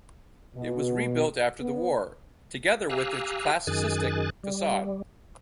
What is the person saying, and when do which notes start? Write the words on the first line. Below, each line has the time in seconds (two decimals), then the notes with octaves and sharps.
It was rebuilt after the war, together with its classicistic facade.
0.56 B2
1.60 B3
2.90 G4 F5 G#5 A#5 E6 F#6
3.67 F#2 D#3 G#4 G#5 F#6 A6
4.43 G3